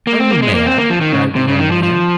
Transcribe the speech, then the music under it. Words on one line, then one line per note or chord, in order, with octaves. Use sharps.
"Are you mad?" cried the young man.
A#3
C4
A#3
G#3
A#3
C4
A#3
F3
D#3
C#3
C3
C#3
D#3
F3
F3